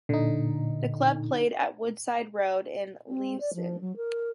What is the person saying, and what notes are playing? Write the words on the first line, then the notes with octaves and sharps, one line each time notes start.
The club played at Woodside Road in Leavesden.
A#2 D3 D#4
C4
D5
F3
F#3
A#4